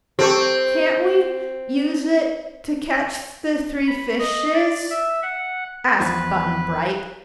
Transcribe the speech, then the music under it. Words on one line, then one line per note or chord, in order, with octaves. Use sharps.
"Can't we use it to catch the three fishes?" asked Button Bright.
C4 G4 A4 C#6
B5
D#5
D5
E5
F#5
E2 F3 B4